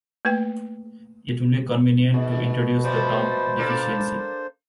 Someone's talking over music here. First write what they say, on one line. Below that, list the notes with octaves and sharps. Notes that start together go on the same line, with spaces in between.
It will be convenient to introduce the term deficiency.
A3 A#3 B4 G5
G#2 B2
C3 F3 G3 C5 B5
A#3 D4 A4